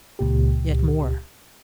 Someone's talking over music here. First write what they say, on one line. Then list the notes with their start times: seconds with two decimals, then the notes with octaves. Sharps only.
Yet more.
0.19 C#2 A#2 G4